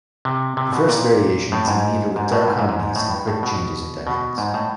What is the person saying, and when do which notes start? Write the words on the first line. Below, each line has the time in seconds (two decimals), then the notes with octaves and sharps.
The first variation is in meter with darker harmonies and quick changes in dynamics.
0.25 C3
0.57 C3
0.73 B2
0.89 A#2
1.52 A2
1.68 G#2
2.16 G#2
2.32 A2
2.48 G#2
2.59 G#2
2.69 G#2
2.80 G#2
2.96 A2
3.11 G2
3.28 A2
3.43 B2
4.07 B2
4.38 G#2
4.54 A2